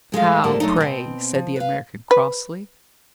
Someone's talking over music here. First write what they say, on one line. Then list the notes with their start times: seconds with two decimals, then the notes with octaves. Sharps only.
"How, pray?" said the American, crossly.
0.12 A2 G#3 A3 F5
0.44 A2 F3 G3 G#3 A#3 A5
0.60 F#3 A3 D#4
0.76 B2 C4
1.35 F3
1.56 B4 F5
2.11 B4